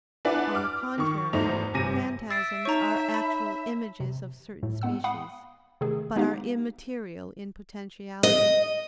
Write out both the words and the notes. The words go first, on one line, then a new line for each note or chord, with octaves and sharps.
On the contrary, phantasms are actual images of certain species, but are immaterial in potentiality.
D4 E4 B4 D5 F#5 G#5
D6 F6
D#3 C#6
G#1 E2 A3 D#4 C5 F7
G1 C3 G#5 A#6 D#7
E5 E6 A6 C7 D7
D#4 C#5 A#5 C#6
A5 B5 B6
C3
A2
G#3 B3 F#5 E6
F5 F#5 B5 D#6
C3 D#3 A3 G#4
G#3 B3 D#4 G4 F5
D#5